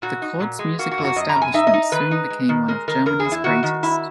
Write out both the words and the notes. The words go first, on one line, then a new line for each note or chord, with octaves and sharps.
The court's musical establishment soon became one of Germany's greatest.
A#2 F#4
D#4
A#2
G#3
A#3 F#4
F#4
F#2
F#4
F#2 D#5
A#5
F#2
G#5
D#4 E5
D#5
D#4
D#3 B4
D#4
G#3
D#3
G#3 A#4
D#3 A#4
E2 A#4
G#4
E2
E4
D#3 F#4
D#3
E4